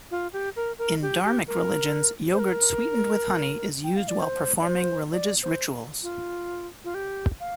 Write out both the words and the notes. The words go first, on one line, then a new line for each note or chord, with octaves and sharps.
In Dharmic religions, yogurt sweetened with honey is used while performing religious rituals.
F4
G4
A#4
A#4
G4
G4
A#4
C5
A#4
G5
F5
D5
C5
D5
C5
D5
C5
F4
F4
G4
F5